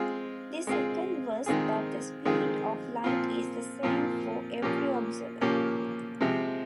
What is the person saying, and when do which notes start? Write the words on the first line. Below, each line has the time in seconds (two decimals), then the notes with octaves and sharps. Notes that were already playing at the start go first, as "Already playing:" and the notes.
The second was that the speed of light is the same for every observer.
Already playing: G#3 C4 F4 G#4
0.67 G#3 C4 F4 G#4
1.46 D#3 G#3 C4 F4 G#4
2.25 D#3 G#3 C4 F4 G#4
3.04 A#2 F3 C4 F4
3.83 A#2 F3 C4 F4
4.62 A#2 F3 A#3 C#4 G4
5.41 A#2 F3 A#3 C#4 G4
6.21 C3 F3 G#3 C4